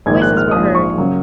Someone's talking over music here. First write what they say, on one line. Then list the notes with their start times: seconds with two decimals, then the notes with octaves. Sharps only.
Voices were heard.
0.06 A#1 G#2 D#3 A#3 G#6
0.22 F#6
0.37 F6
0.51 A#1 G#2 F3 D#6
0.75 C#6
0.98 C#3 F#3 A#3